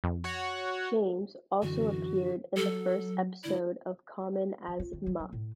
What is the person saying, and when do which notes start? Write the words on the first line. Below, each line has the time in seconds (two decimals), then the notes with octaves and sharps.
James, also appeared in the first episode of Common As Muck.
0.04 F2
0.24 F#4 C#5 F#5
1.62 F#2 D3 E3 F#4
2.57 F#3 A4
3.44 G#2 D3 E4 D5
4.67 E3
4.80 F4
4.93 D#3
5.07 F#3
5.20 F#3
5.33 A2